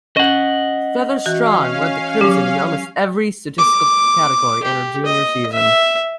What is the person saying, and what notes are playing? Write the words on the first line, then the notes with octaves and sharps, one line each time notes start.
Feaster-Strong led the Crimson in almost every statistical category in her junior season.
C#4 D#5 F#5
E3 C#4 F#4 F5
F#3 G4
D6
G4
D#5
E5